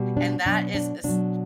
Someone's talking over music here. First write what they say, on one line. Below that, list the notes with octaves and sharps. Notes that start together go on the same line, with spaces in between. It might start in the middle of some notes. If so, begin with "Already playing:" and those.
And that is a s
Already playing: B2 G3
D4
B2 F#3 D4
D4
B2 F#3 D4